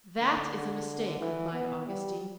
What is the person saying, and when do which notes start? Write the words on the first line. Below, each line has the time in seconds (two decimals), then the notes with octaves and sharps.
"That is a mistake," replied Augustine.
0.20 D3
1.20 E3
1.53 B3
1.87 G3